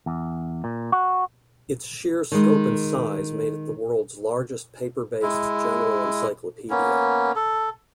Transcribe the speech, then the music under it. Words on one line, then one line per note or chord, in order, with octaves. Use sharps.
Its sheer scope and size made it the world's largest paper-based general encyclopedia.
E2
A#2
F#4
D#3 G#3
G#3 E4
A#3 B3 C#4
A4